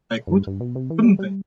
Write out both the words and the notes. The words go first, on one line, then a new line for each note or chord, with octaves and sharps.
I could, couldn't I?
F#2
G2
G2
B2
C3
E3
G3
G3